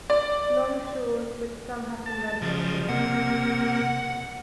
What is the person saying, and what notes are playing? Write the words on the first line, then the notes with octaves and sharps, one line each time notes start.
Long shores which some have been renovated.
D5
A5
C#3 F3 F#3
C3 A#3 F#5